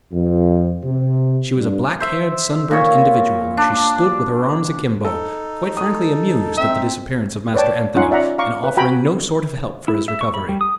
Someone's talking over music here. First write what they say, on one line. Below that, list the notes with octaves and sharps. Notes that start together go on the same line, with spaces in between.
She was a black-haired, sun-burnt individual and she stood with her arms akimbo, quite frankly amused at the disappearance of Master Anthony, and offering no sort of help for his recovery.
F2
C3
G2
C5 E5
A#2 C#5
D4
D#4 A4
A4 D#6
C4 E5
B4 C#5 D5 G5 A5
C#4 D#4 F4 F#5 C6
D5 E5 F#5 A#5
F5 A#5 C#6 D6
B4
F#4 G5 G#5 A#5 B5
E4
E5
C#6
B5
G3
D#6